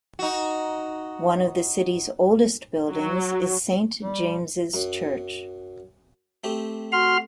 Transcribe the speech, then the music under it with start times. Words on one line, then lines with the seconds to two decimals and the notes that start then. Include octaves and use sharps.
One of the city's oldest buildings is Saint James's church.
0.19 D#4 F#4
2.90 F#3
4.02 G3
4.74 F#2
6.44 A3 C4 G4
6.92 F#4 C6 F6